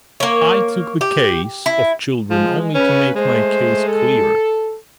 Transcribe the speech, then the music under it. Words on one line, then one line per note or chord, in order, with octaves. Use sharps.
I took the case of children only to make my case clearer.
A#3 C#5
G4
E4
F3 G#3
C#3 C#4 B4
G#3 A3 C5
A4